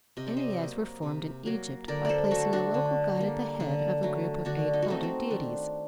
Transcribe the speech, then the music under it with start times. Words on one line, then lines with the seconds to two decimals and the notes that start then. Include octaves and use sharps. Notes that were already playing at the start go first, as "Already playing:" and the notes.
Enneads were formed in Egypt by placing a local god at the head of a group of eight elder deities.
0.17 C3 D#5
0.27 D5
0.37 C5 D#5
0.60 F#3 A#3
1.03 C3
1.46 F#3 A#3
1.88 D3 A#4 D5
2.05 A4 C5 D5
2.31 F#3 A3 F#4 A4
2.53 D4 F#4
2.74 D3
3.17 G3 A#3
3.60 D3
4.03 F#3 A3
4.45 D3 D4 F#4
4.73 D#4
4.82 F#4
4.88 A3 C4 D#4
5.03 C4
5.30 D#3 D4